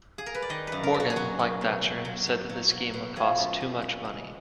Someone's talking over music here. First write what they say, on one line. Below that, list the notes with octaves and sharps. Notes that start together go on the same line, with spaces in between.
Morgan, like Thatcher, said that the scheme would cost too much money.
G#4
A#4
B4
D5
D#3 D#5
F#2 B4
A#4
F#2
F#4
G#4
F#3 F#4
F#3
B2
F#3
F#3
G#2
F#3
F#3
B2
F3 G#4
F#2
F#2
G#3
G#3